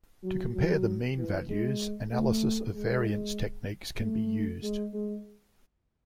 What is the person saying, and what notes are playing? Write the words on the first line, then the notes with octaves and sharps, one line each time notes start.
To compare the mean values, Analysis of Variance techniques can be used.
F#3
F#3
E3
G#3
A3
G#3
A3
G#3
G#3